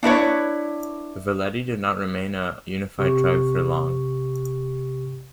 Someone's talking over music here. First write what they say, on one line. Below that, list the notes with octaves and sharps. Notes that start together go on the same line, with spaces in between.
The Veleti did not remain a unified tribe for long.
D4 E4 B4 C#5
A1 C3 G4 C#6